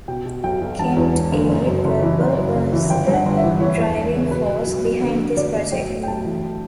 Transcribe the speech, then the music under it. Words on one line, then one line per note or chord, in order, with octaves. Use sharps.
Kent A. Gerber was the driving force behind this project.
B2 G5
B2
B1 G5
B1
E1 A5
E2
E1
D3
F#1
F#2
F#1
E3
F#1
F#2
F#1
E3
G1 G5
G2
F#5
G1
E5
E3
E3 C#5
E2
E1
C#3
B2 B4
B2
B1
B1
D3 B4
D3
D2 D5
D2
B1 G5
A2
G5
B1 A5
E3